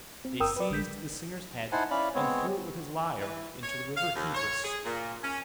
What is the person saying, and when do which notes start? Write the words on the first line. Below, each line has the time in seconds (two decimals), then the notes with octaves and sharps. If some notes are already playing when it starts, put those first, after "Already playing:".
They seized the singer's head and threw it with his lyre into the river Hebrus.
0.25 C4
0.40 G1 A#4 G5 D#6 E6
0.56 B4 D5
0.70 A1 D3 G6 B6
1.72 D#4 E4 C5 F#5 G#5 A5
1.91 C#4 E4 D5 F5 B5
2.15 G#3 B3 C4 C#5
3.20 E3
3.63 C#5
3.96 F5
4.15 D#2
4.34 C#5
4.64 G#4
4.84 A#2
5.23 C#4